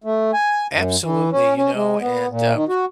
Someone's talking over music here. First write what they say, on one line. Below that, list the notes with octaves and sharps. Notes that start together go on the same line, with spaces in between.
Absolutely, you know, and, uh,
A3
G#5
F#2
E3
C#4
C#4
G#3
B3
A#2
D#3
F#4